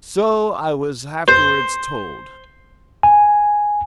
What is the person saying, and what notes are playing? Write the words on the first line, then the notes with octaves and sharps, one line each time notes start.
So I was afterwards told.
C5
G#5